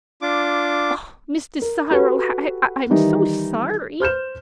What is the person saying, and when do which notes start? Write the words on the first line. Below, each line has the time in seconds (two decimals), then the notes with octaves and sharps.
"Oh, Mr. Cyril--I'm so sorry!"
0.22 D4 F4 D6
1.62 A#4
1.91 F#4 G4 A4 B4 F#5
2.90 D#3 E3 G3 D#4
4.00 C5 F6 G6 E7